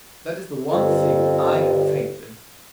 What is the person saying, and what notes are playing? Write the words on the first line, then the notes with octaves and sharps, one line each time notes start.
That is the one thing I have faith in!
G1 F2